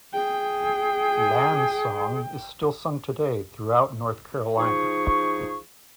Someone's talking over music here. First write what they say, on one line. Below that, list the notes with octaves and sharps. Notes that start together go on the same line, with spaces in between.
Land's song is still sung today throughout North Carolina.
G#4 G5
F3 D#4 G#4 C#6